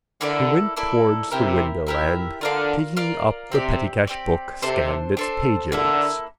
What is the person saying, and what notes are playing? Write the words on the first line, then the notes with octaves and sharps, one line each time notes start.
He went towards the window and, taking up the pettycash book, scanned its pages.
D3 A#3 E4 A4 D5
A#3 E4 A4 D5
C3 E4 G4 A#4 E5
E4 G4 A#4 E5
D3 F4 A#4 D5 F5
F4 A#4 D5 F5
C3 C4 G4 D5
C4 G4 D5
C3 D4 A4 C5
D4 A4 C5
D3 A#3 E4 A4